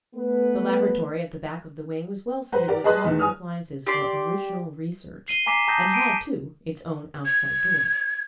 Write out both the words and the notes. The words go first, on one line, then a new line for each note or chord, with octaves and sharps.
The laboratory, at the back of the wing, was well fitted with modern appliances for original research, and had, too, its own outside door.
A3 B3 B4
B4 C5 F#5 A#5
G4 A#4 D5 F#5
G#4 B4 D#5 A5 C6 F#6
E2 D#3
G#5 D#6 F6
G4 D5 C6
C7 D#7 G7
G#5 A#5 D6 B6 C7 E7
A5 A#5 D#6 G6 A#6
A5 D7 D#7
G#6